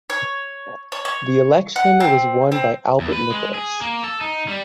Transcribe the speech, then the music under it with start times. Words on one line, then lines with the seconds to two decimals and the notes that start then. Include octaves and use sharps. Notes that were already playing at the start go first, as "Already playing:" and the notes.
The election was won by Albert Nicholas.
0.10 C#5
0.92 C#5
1.05 C#5
1.76 F#5
2.00 C4
2.52 C4
3.00 E2
3.13 B4
3.30 G#3
3.54 G#4
3.81 A#3
4.04 A4
4.21 D#4
4.48 G3